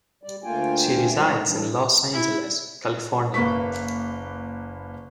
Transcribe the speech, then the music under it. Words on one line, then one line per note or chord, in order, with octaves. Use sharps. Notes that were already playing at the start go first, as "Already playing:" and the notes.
She resides in Los Angeles, California.
G3 D5
D2 A3 A#3 F4 G5 G#5
F#3 G#3 A3 C5
E3 G3 D4
E4
F#1 A#3 B4 C#6 B6